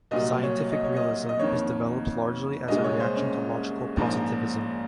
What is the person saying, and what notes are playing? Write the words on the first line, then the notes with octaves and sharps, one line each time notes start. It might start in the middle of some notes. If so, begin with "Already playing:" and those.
Scientific realism is developed largely as a reaction to logical positivism.
C2 A#2 F#3 D#5
C#5
D#5
C#5
D#5
D#5
F2 D#3 A#3 C#5
C2 A#2 G#3 D#5
C#5
C5
C#4
A#1 G#2 F3 A#3